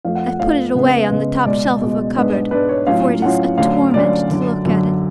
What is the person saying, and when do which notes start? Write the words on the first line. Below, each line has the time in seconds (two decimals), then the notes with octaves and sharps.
I've put it away on the top shelf of a cupboard, for it is a torment to look at it.
0.05 F2 F3 A3 F5
0.15 F#5
0.28 F#5
0.39 F2 F3 A3 F5
0.75 C#3 G#3 B3
1.10 C#3 G#3 B3
1.46 C#2 B2 G#3 D5
1.81 C#2 B2 G#3
2.16 G#2 G#3 B3 D4
2.51 G#2 G#3 B3 D4 B4
2.69 C#5
2.87 A2 F#3 C#4 F4 F5
3.22 A2 F#3 C#4 F4 F#5
3.57 D2 D3 F#3 C#4 F5
3.93 D2 D3 F#3 C#4 D5
4.29 F#2 D3 F#3
4.64 F#2 D3 F#3